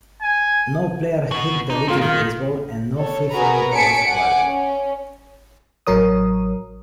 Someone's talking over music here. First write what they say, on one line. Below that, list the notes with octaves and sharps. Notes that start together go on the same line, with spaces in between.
No player hit the little baseball, and no free furniture was awarded.
G#5
B2 F#4
D4 D#4
A#3 C4 F4
D#3 F4
A4 C#5
F#4 G#4 A#4 B4 A#5
C#4 G#5 A5 B6 C#7 D7
F#5 G#5 D6
C#4
A1 F#3 A#4 C#5 D#6